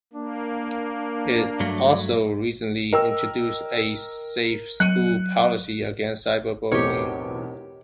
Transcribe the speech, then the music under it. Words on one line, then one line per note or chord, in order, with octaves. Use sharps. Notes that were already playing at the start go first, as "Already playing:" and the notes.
It also recently introduced a "Safe School Policy" against cyber-bullying.
A#3 D4
G2 F#3 A3
A#4 D#5 G5 E6
F#3 F#6 C#7 D#7
B1 E2 A2 C4 G4 A#4 C#5 D#5